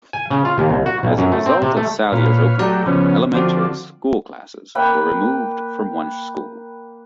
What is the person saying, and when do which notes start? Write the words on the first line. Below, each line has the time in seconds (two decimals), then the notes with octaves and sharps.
As a result of Salyers opening, elementary school classes were removed from Wunsche School.
0.13 G#5
0.30 C#3
0.45 F4
0.58 D#2
0.69 C2
0.86 F#4
1.03 B1
1.18 F#2
1.32 A3
1.46 C4
1.62 C3
1.77 A3
2.12 A#2 B4 C#5 F5 B5
2.59 F#3 A3 F#4 G4 D5 A#5
2.86 C#3 F3 B3 C#4
3.33 D3 F3 C4 D4 F#4
4.75 A#3 B4 G5 B5